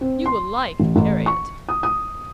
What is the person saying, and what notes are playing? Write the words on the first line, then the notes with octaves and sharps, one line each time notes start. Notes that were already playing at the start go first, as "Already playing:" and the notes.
You will like Harriet.
C4
C6
A1
A1
C#6
D#6
D#6